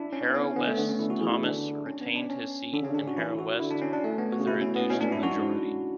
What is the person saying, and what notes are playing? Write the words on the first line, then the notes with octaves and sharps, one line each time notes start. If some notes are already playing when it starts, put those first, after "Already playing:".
Harrow West's Thomas retained his seat in Harrow West with a reduced majority.
Already playing: D4 E4
C#4
B3
C#4
D3 B3
A3
D3 B3
C#4
D3 E4
F#4
E3 G#4
E4
D3 D4
C#4
B3
D4
C#4
D3 D4
C#3 C#4
D3
D4
F#4
E3 E4
F#4
D3 E4
D4
C#4
D4
A3
B3
F#4
C#3
B2 E4
C#4
B3
B2 C#4
A2 D4
G#2 E4
F#2 F#4
G#2